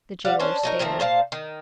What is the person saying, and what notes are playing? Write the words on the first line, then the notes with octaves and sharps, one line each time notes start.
The jailer stared.
G3 F5 F#5
C#4 D4 C5
F#3 D#4 A#4
F3 A3 C4 A#4
A#2 C5 F5 A5
D#3